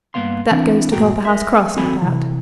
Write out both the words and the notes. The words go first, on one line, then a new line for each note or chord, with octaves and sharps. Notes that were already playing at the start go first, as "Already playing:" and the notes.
That goes to Copperhouse Cross, no doubt.
G2 A#3 B3 F5 C6
E3 C4 D4 E4
G2 A#2 D4 F#4 G5 A#5
A#4 E5
D#2 C4 F#4 A4 G#5 B5
C3 E3